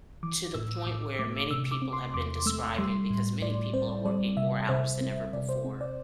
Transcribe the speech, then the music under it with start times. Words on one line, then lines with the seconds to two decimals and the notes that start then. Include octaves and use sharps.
to the point where many people have been describing because many people are working more hours than ever before,
0.23 E3 D6
0.54 A2 E6
0.87 A2 D6
1.19 A3 D6
1.51 C3 E6
1.71 D6
1.82 C4
1.93 C6
2.14 E2 D6
2.46 A3 E6
2.78 G3 C6
3.10 A2
3.41 A2 D5
3.73 C4 C5
4.05 G3 D5
4.37 C3 E5
4.69 C3 C5
5.01 C4
5.33 C3 D5
5.49 C5
5.64 C4
5.81 D5